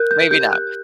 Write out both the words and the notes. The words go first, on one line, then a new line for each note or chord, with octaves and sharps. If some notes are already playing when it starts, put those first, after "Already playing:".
Maybe not.
Already playing: A#4 F#6 G6
G6
G4 G6
F#6